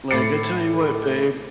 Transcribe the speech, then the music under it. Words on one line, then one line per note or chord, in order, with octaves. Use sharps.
Like, "I tell you what, babe”
A2 B5 D6 A6 C7 C#7